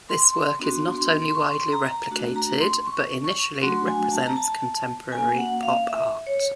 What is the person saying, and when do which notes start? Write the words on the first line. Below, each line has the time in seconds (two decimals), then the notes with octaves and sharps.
This work is not only widely replicated but initially represents contemporary pop art.
0.09 C6
0.33 C6
0.59 B3 D4 F#4 C6
0.97 C6
1.29 C6
1.35 C#6
1.54 C6
1.72 A#5
1.91 A#5
2.10 A3 D4 F#4
2.36 A#5
2.60 C6
2.87 C#6
3.24 C#6
3.62 F#3 A3 D4 F#4 C6
3.87 G#5
4.12 A5
4.26 A#5
4.37 A5
5.12 A#3 C#4 F#4 G#5
5.38 F#5
5.63 F5
5.89 E5
6.27 C#5